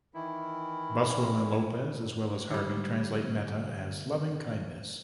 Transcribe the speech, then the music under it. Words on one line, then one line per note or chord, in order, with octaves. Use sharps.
Buswell and Lopez, as well as Harvey, translate "metta" as "loving-kindness".
D#3 E3 E4
D3 G3